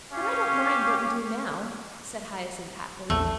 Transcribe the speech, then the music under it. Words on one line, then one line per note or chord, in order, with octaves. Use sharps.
"But I don't mind what we do now," said Hyacinth happily.
C#4 G4 C#5 F5
A#1 E2 A3